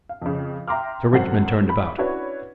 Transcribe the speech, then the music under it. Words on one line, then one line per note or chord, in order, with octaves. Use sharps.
Sir Richmond turned about.
F5
F2 C#3
E5 G5 A#5 C6 D6 F6
G#1 F#2 C4 A4 F#5 C7
B5
C#4 D4 E4 F#4 B4 C#5